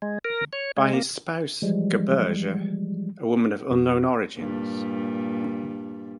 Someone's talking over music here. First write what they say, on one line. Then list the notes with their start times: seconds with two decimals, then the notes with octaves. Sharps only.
By his spouse, Gerberge, a woman of unknown origins.
0.02 G#3
0.25 A#4
0.53 C#5
0.77 G#3
0.93 A#3
1.62 E3 F3 G3 G#3
3.70 F2 B2 F#4
4.36 G2 A#2